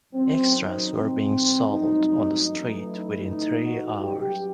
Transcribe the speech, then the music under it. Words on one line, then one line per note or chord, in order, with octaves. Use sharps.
Extras were being sold on the street within three hours.
F#2 D#3 F#3 C4
D#4
C2 C3 E3 C4
G2 F#3 A3 D#4
D#4
F#2 E3 A3 D#4
E4
A2 E3 A3 D#4
F#4
F#2 E3 G3 G4